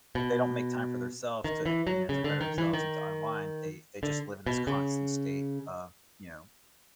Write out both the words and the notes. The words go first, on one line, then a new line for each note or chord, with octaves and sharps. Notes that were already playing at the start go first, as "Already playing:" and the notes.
They don't make time for their selves to en you know, to better themselves and to unwind, they they just live in this constant state of, you know,
B2
D#3
E3
F#3
C#3
D3
D#3
E3
D#3
D3
B2
C#3